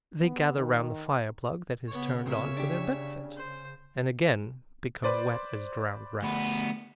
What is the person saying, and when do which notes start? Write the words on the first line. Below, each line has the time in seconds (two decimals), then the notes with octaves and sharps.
They gather round the fire-plug that is turned on for their benefit, and again become wet as drowned rats.
0.21 B3
0.57 D#3
1.88 C#3 B3 C#5
2.27 C3 A#3 C#5 E5
2.57 D4 G4
3.37 C5
5.04 B4 C5 D5
6.23 D2 B3